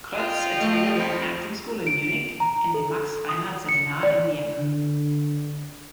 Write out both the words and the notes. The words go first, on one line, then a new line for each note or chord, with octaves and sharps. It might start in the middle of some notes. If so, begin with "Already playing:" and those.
Kroetz attended an acting school in Munich and the Max-Reinhardt-Seminar in Vienna.
F4 D#5 G5
A3
F2 F3
D7
A#5
A4
D#6
C#7
D5
D3